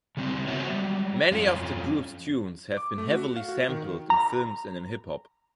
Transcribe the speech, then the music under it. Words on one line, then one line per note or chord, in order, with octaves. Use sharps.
Many of the group's tunes have been heavily sampled in films and in hip-hop.
C#3 G3 C4
B3 F#4 C5 C#5 E5
F#3 G3
F2 C#4 F4
D6
A3
F#4
F5
F#4
D#3
A#5